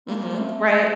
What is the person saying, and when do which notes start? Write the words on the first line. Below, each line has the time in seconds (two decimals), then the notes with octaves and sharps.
Mhm. Right.
0.09 A#3
0.23 A#3
0.37 A3